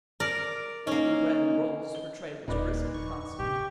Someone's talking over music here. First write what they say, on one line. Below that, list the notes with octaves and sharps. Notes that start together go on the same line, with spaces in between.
In bread and rolls her trade was brisk and constant.
A#4 D5
A#3 C#4 D#4
G7
D#1 A#2 D#4 B4 D5
F2 C#6
A#2 C#3 G4